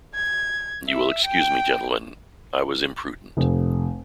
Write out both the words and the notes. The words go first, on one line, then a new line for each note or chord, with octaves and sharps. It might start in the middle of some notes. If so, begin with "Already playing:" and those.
You will excuse me, gentlemen; I was imprudent.
G#6
E5
G5
F1